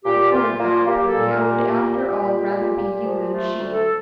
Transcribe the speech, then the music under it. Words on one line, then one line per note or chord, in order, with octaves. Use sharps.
Before God, Poldie, I would after all rather be you than she.
A#2 G4
A#2 F4
A#3 F4
A#3 G4
A4
A#2
A#4
A#3
G4
A#2
A#2
A#2
A#2
A#2
F3
A3 F4
D2
A4